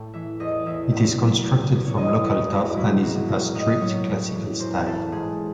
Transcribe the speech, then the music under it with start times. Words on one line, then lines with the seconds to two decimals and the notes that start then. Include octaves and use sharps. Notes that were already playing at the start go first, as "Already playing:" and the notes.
It is constructed from local tuff and is a stripped classical style.
Already playing: A2 A4
0.14 E3 E5
0.40 E2 D#5
0.66 E2 E5
0.92 A2
1.20 F#3
1.45 E2
1.71 E2
1.87 C#5
1.97 E2 D#5
2.24 E2 D#5
2.50 G#2 F#4
2.76 F#3 E4
3.02 G#2 F#4
3.28 F#3
3.55 A2 D#5
3.80 F#3 C#5
4.07 A2
4.33 E3
4.59 F#2 C5
4.86 E3 A4
5.12 G#2 G#4